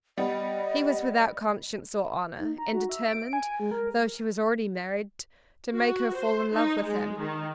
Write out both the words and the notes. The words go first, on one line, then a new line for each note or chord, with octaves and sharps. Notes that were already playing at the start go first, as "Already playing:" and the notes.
He was without conscience or honor, and determined, though she was already married, to make her fall in love with him.
G3 B3 D#5
D#4
A#5
F#4
E5
D7
G#5
G#3
A#4
F#4
C5
D#4
G#3
D#3